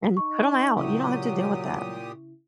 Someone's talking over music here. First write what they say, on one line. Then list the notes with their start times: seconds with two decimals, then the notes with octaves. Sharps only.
An put 'em out, you don't have to deal with that.
0.17 D#4 C#6
0.77 A#2 C#3 F#3 E4 G4 D#6